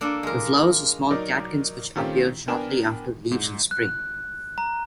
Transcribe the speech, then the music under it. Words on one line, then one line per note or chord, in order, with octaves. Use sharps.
The flowers are small catkins which appear shortly after the leaves in spring.
A#3 D4 A4 D5
G#3 A#4
F#3 D#4 A#4 D5 D6
D#3 A3 C4 C#4 F4 G4
B3 D4 A#4 G5 G#5 E7
G#2
F#6
A#5